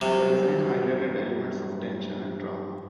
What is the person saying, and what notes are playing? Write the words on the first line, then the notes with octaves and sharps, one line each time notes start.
The design highlighted elements of tension and drama.
G2 C3 F#3